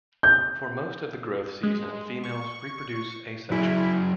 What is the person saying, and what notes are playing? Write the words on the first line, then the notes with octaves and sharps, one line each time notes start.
For most of the growth season, females reproduce asexually.
G6
G#3
C#6
F#3 E4 G#4